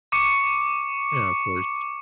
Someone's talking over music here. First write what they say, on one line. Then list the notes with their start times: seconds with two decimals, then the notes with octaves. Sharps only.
Yeah, of course.
0.12 C#6 D6 C#7